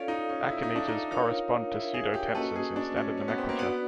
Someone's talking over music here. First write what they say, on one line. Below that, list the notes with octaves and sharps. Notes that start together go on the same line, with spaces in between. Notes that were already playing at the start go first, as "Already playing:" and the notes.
Akinetors correspond to pseudotensors in standard nomenclature.
Already playing: C#4 F4 A4 D5 F5
D#4
C#4
E4
D#4
D4
D#4
D4 F4 A#4 C#5 F5
E4
G#4
G4
A#3 C#4 F#4 A4 B4 D#5
G#4
D4
C#4
C#4
B3
C4
A#3
B3 D4 F#4 B4 D5 F#5